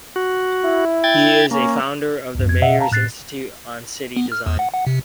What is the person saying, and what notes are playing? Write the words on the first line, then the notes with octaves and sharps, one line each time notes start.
He is a founder of the Mayors' Institute on City Design.
F#4
E4
G5 G#6 A6
A#3 C#4
C#2 G2
F2 G#6
B2 D#5 E5 F#5
F5 A5 A#5
A2 F#6 A6 C7
B3
F6
E2
F#5
F#5
C3